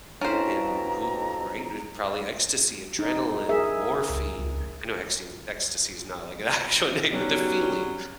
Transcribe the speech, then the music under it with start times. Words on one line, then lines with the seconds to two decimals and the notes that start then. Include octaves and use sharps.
and who right, and probably ecstasy, adrenaline, morphine I know ecste ecstasy is not, like, an actual name, but the feeling
0.21 F2 B2 C#4 D4 E4 C5 A#5
2.99 D#4
3.49 G#4 A#4 E5
4.10 C#2
4.38 C#2
7.13 B1 F#3 G3 C#4